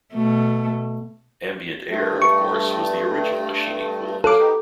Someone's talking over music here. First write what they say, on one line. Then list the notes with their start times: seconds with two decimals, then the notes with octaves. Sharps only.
Ambient air, of course, was the original machining coolant.
0.13 B2 A3
1.90 G2 A3
2.22 C#6
4.24 F#3 A4 F5 D6 F#6
4.38 B3 D#4 G4